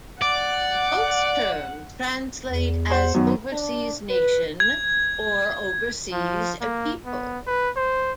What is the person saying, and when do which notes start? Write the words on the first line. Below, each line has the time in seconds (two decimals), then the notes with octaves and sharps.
Both terms translate as "overseas nation" or "overseas people".
0.22 D5 F#5 F#6
2.46 E2
2.90 C5 F#5 C6
3.14 F#2 D#3 F#3 B3
3.52 D4
4.10 B4
4.60 G#6
6.12 F3
6.61 A#3
7.05 B3
7.46 B4
7.76 C5